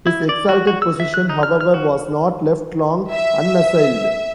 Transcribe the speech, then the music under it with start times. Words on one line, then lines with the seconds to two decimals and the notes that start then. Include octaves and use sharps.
His exalted position, however, was not left long unassailed.
0.07 E4
0.29 D5
0.49 F#4
0.67 F#4
0.82 E6
1.00 E5
1.14 F#6
1.29 D#4
1.43 F6
1.61 F6
1.74 F#4
3.13 E5